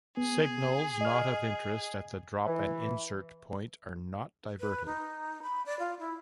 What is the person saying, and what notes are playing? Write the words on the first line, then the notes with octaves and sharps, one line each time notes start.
Signals not of interest at the drop-and-insert point are not diverted.
B3 G#4
D#5 F6
E3
B4
D#4
B5
D5
F4
E4